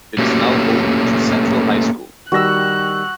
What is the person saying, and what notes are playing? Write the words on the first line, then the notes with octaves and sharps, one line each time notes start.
It is now home to Central High School.
A3 A#3 C#4 F#4 G4
D#3 G3 F#4 E6 F#6 A#6